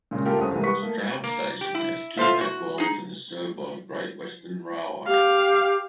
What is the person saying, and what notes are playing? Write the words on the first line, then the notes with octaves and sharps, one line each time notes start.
Stroud station has two platforms and is served by Great Western Railway.
A#2 C#3 G#3 C#4
A3 A#3 F4 G4 A4 A#4
C2 C#4 A4 C5 D#6
C2 C3 E3 G#3 A#3
G3 B4 C#6 B6
A3 A#3
A#3
G4
E4
F4 A4 C5 E5
F#4
D#4 G#4
G4 F5